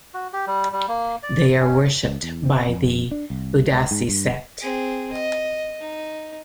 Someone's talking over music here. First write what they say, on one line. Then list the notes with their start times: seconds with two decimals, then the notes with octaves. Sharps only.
They are worshiped by the Udasi Sect.
0.14 F#4
0.33 G4
0.47 G3
0.72 G3
0.88 A#3
1.23 D5
1.60 C#4
2.03 C#2
2.23 E2
2.45 C4
2.68 F2
3.11 D4
3.30 C2
3.71 C#2
3.91 G#2
4.09 G2
4.62 C4 G#4
5.12 D#5
5.81 D#4